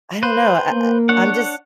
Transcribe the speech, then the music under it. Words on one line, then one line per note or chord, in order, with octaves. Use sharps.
I don't know, I I I'm just
B4 C5
A#3
D4 C#5 F#5